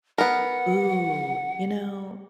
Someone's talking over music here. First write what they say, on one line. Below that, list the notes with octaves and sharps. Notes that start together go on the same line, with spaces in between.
Ooh, you know,
B3 A#4 F#5